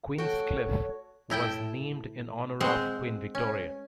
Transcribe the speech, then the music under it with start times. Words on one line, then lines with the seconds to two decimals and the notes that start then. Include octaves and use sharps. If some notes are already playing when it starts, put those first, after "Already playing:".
Queenscliff was named in honour of Queen Victoria.
0.18 F#4 A4 C#5 G5
1.30 A2 E4 G5 A5
2.60 G#3 C4 C5 F#5
3.35 C#4